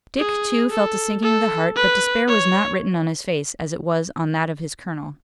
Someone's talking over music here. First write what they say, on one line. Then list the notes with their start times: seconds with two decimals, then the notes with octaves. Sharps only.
Dick, too, felt a sinking of the heart, but despair was not written on his face as it was on that of his colonel.
0.18 G#4
0.71 A4
1.23 A4
1.75 B4
2.28 C#5